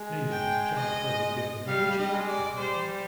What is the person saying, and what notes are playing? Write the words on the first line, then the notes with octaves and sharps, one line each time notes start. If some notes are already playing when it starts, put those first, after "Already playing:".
"Nay, then, shall I call you girl, good Richard?" asked Matcham.
Already playing: G#3
G5
D#5
G3 F5
G3
D#5
G#3
D5
G3 C5